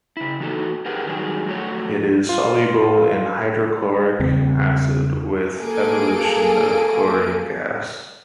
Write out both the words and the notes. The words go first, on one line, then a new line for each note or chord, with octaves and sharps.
It is soluble in hydrochloric acid with evolution of chlorine gas.
C#3 E4
E3 D#4 F#4 A4
G4 G#4 A#4 B4 F#5 G5
D#3 F#3 G3 G#4
F3 F#3 A3 F#4 C#5
F4
E2 C#3 G3 C4
A#3 G#4 A4 D7